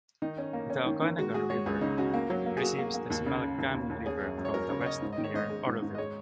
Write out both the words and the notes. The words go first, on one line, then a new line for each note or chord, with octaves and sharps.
The Okanogan River receives the Similkameen River from the west near Oroville.
D#3 D#4
C#4
A#3
C#4
D#3
D#3
G#3 F#4
F#4 G#4
G#3 C#5
C#2 G#4
C#3 D#4
C#4 F#4
A#3
F#3
A#3
G#4
A#3 F#4
A#3
A#3
D#2
C#3
C#3
D#2
D#2
D#2
C#4 G#4
F#2
F#2
C#5
F#3 A#4
C#3 C#5
C#5
C#4 D#5
G#2
D#5
D#3
C#5
G#2 D#5
G#3
G#2
G#2
D#5
G#3 C#5